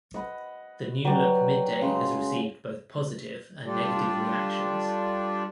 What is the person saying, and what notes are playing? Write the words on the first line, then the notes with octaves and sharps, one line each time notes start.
The new look Mid-Day has received both positive and negative reactions.
D#5 F#5 B5
F#3 G4 B4 D5
C#3 G#3 A#5 C6
G3 D4 F4 G4 A4 D5